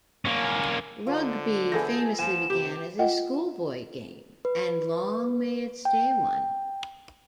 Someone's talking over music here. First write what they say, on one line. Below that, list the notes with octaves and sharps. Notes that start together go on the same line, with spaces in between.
Rugby famously began as a schoolboy game, and long may it stay one.
A#3 C#4
D3 F4 C5
A3 B3 G#4 A4 B5 G6 A#6
F3 G#5 E7
C3 G4
F4 D#5 F#5 G5
B4
G5